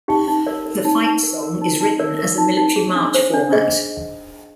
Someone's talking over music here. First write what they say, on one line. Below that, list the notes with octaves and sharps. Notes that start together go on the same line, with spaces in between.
The fight song is written as a military march format.
D#4 G4 G5
D#4
A#4 D5
A#4
D#4
D#4
A#4
A#4
D#4
D#4
A#4 D5
A#4
D#4
D#4
G#4
D4
C5
D4
G#4 D#5